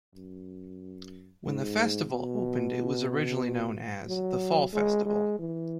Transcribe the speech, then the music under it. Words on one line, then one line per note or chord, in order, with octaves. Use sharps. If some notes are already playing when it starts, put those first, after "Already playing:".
When the festival opened it was originally known as the "Fall Festival".
F#2
G#2
B2
F#3
G#3
G#3
E3